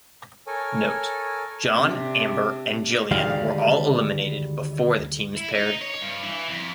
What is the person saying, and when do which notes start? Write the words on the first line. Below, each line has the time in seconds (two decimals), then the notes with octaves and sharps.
Note: John, Amber and Jillian were all eliminated before the teams paired.
0.47 A4 A#4 C#5 G#5
1.75 C3 D4
3.11 D2 D#3 G3 G#3 F5
5.37 E4
5.55 D#4
5.82 C#5
6.02 G2
6.24 E3
6.49 F2